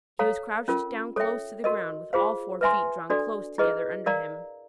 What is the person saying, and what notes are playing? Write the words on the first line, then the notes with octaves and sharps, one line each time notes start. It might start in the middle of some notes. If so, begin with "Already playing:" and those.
He was crouched down close to the ground with all four feet drawn close together under him.
A4 C#5 F5 A#5
C#4 F4 A#4
A4 C#5 E5 G5
F#4 A#4 D#5
F4 G#4 C5 F5
B4 E5 G#5 C6
D4 F#4 A4 D5
E4 G#4 B4 D#5
A#4 D5 F5 A#5